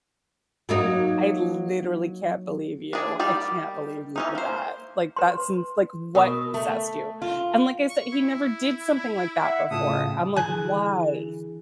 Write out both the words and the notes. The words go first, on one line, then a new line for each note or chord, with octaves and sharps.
"I literally can't believe you, I can't believe you did that, like, that seems like what possessed you?" And like I said, he never did something like that before, I'm like, "Why?"
F#3 A#3 D#4
D4 G#4
D#3 G3 D5 G5
E3 C#4 D#4
A#3 C5
B4 C6
B2 A#4 D#6
A3
F4
C#6
E4
E5 F#5
A2 C#3 F4 A5 D#6
D3 E3 G#4 G#5 F#6